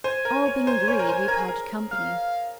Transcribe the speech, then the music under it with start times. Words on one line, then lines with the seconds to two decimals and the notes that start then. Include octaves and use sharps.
All being agreed, we parted company.
0.04 C5 G#5
0.25 A#4
0.46 C#5
0.67 C5
0.88 C#5
0.99 A#4
1.08 C5
1.28 A#4
1.38 G#4
1.48 A#4
1.91 F5